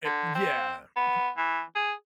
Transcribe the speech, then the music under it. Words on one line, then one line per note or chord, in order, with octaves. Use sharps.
It yeah, pr
D3
C4
B3
E3
G#4